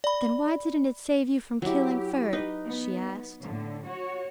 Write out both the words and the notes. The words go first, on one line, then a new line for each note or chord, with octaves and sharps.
"Then why didn't it save you from killing Ferd?" she asked.
D5 B5
F#3 E4 G4
D#4 B4
B3
A2 D3
F#4 C#5